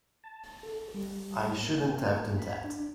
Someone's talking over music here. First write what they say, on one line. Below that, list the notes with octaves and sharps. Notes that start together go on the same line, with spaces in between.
I shouldn't have done that.
A5
A4
G3
A#3
B5
D4